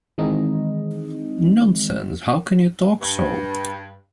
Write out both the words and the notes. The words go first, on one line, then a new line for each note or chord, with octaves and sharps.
Nonsense, how can you talk so!
D#3 E3 G#3 C4 D#4 D#5
G2